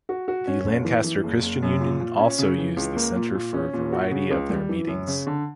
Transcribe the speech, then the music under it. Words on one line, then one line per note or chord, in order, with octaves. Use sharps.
The Lancaster Christian Union also use the centre for a variety of their meetings.
F#4
F#4
C#4
F#1
E3
E3
F#1
F#1
F#2
A#2
A#2
C#4
C#3
E3
C#2
A#3
A#2
A#2
C#4
A#2
F#4
C#3
C#2
G3
E3
F#2
C#3
D3